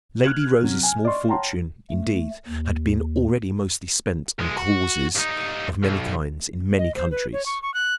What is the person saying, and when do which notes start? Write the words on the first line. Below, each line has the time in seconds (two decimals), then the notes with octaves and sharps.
Lady Rose's small fortune, indeed, had been already mostly spent on "causes" of many kinds, in many countries.
0.23 F6 F#6 G#6 F#7
0.63 C3 F#3
0.83 G#5
1.05 D5 D#5 C6 C#6
1.27 C#5 F#5 G5 A5 A#5 C6
1.91 A3
2.48 D#2
4.39 B1 G#3
4.58 F#4
5.15 G2 D#4
5.83 B1
6.79 D#5
6.95 C5
7.11 B4
7.33 C#5
7.46 C#6
7.62 C#6
7.74 F#6